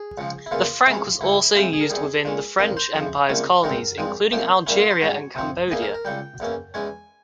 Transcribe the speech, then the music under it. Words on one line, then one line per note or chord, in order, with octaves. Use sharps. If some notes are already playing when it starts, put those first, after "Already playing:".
The franc was also used within the French Empire's colonies, including Algeria and Cambodia.
Already playing: G#4
C#2 C#3 F3
E4
E2 C#3 E3 A#3 F4
C3 E3 G#3 C#4
C#2 C#3 E3 E4
C3 E3 G#3 C4 F4
G#4
A#4
E2 C3 E3 G3 G#4
A#2 G#3 C#4
G2 F3 C4 A#4
C5
F2 C#3 F3
C#2 C3 G3 A#3 C#4
C2 C3 E3 G#3 C4 A#4
G2 F3 G#3 C4
C2 C3 F3 A#3 C#4 C5
C2 A#2 G3 A#3 C#4 E4
F4
C5
G#2 G3 C#4 C#5
C3 F3 C4
E2 E3 A#3 G#4
A#4
A#4
C#2 C#3 G3 G5
E2 E3 A#3 C#4
E2 E3 G#3 C#4 G#5